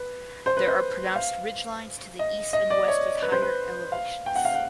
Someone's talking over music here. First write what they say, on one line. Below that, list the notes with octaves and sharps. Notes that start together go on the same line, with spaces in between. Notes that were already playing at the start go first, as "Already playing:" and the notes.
There are pronounced ridgelines to the east and west with higher elevations.
Already playing: B4
C5
B4
C5
F5
D#5
D#5
D5
C#5
B4
C5
B4
F5
G5
F#5
F5
F#5